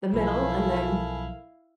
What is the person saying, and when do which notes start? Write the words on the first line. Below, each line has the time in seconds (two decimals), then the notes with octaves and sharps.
the middle and then
0.14 B1 F3 E4 A4 A#4 F5 G#5 B5